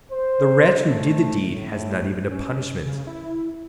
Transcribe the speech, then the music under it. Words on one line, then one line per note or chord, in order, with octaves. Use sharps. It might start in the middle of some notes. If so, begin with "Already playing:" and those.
The wretch who did the deed has not even a punishment.
C5
A3
A2
C#4
C#3
E4